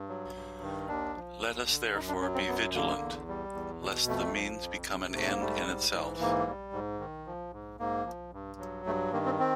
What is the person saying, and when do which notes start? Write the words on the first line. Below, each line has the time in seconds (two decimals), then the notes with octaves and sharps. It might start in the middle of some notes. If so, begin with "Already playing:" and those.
Let us, therefore, be vigilant lest the means become an end in itself.
Already playing: G2
0.09 F#3
0.35 G2
0.62 D#3
0.88 D#2 D4
1.15 F3
1.41 D#2
1.68 D3
1.95 F#2 D#4
2.08 D4
2.21 F#3 C#4
2.34 C4
2.48 F#2 B3
2.74 D3 A#3
3.01 E2
3.28 G3
3.54 E2
3.81 B2
4.07 F2 A3
4.34 F3
4.61 F2
4.87 C3
5.14 G#2 A3
5.28 A#3
5.40 G3 A3
5.67 G#2
5.94 E3
6.20 G#2 A#3
6.47 G3
6.73 G#2
7.00 D#3
7.27 F3
7.53 G#2
7.79 G#2 A#3
8.06 F3
8.33 G2
8.60 F#3
8.86 G2 A3
9.13 D#3 A#3
9.26 C4
9.39 C4